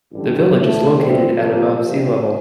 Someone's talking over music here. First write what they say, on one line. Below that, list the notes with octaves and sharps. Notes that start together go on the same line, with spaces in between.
The village is located at above sea level.
A1 G2 D3 G3
A1 A2 A3
C2 C3 G3 C4
C3 F3 A#3 F4 A4
C3 D#3 G3